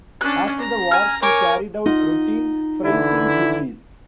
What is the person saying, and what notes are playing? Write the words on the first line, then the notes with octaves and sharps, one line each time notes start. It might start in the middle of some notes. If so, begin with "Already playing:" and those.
After the war she carried out routine freighting duties.
C#4 D4 F#6
A#5
G#5 F6
A#4 C#5 G#5 D6
D#4 F4 F#5
D3 E3 E4